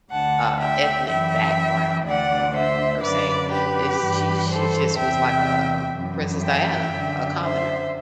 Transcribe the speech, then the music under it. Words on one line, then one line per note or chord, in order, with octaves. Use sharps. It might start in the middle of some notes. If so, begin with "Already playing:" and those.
uh, ethnic background, um, per se. Is she she just was like, um, Princess Diana, a commoner.
D2 D3 F#5 A5
E5 G5
F#2 E3 E5 G5
D2 D3 D5 F#5
C5 E5
F#2 D3 B4 D5
G4 B4
G2 E3
A4 C5
E2 C3 E3 E5 G5
F#2 E3
E5 G5
F#2 D3
C5 E5